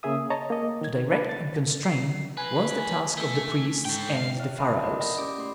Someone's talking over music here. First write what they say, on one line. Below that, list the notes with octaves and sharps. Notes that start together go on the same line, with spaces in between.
To direct and constrain was the task of the priests and the pharaohs.
C#3 A#3 G#4 E5 D#6
C#5 D#5 A5 A#5
A#3 D#5
D#3 G#6
D4 B4
A6
C7
C#2 B4 G#5
A3
G#2 A4 G5
F5
E4 C#5 F6 F#6
E5 A5 B5 C6 D#6
A#4 D5 D#5 F#5 B5
E4 D5 G5 B5 D#6 A#6
C#4 G4 D5 D6 D7
A3 C6